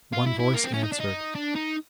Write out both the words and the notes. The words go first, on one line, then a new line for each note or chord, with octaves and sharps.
One voice answered.
F4
E4
E4
A#3
C4
C#4
D#4
D4
D#4
D4
D#4